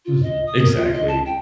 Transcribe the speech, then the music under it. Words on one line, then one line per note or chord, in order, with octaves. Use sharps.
Mhm. Exactly.
F4
D#5
D#6
A#4
F4
D#5
A5
G5